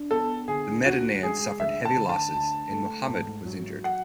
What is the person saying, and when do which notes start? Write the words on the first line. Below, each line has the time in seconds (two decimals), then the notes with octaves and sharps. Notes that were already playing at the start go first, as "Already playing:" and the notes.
The Medinans suffered heavy losses, and Muhammad was injured.
Already playing: D4
0.11 B3 A4
0.48 D3 G#4
0.85 D2 F#4
1.23 G#3 G#4
1.59 D2 E5
1.85 A5
1.97 D3
2.09 A5
2.35 D2
2.72 A3
3.09 G#2
3.46 F#3
3.84 F#5